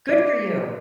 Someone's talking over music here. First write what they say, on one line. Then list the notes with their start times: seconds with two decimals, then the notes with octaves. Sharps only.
Good for you.
0.09 D5